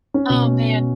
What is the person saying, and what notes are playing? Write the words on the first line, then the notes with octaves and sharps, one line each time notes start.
Oh, man.
C#4
B2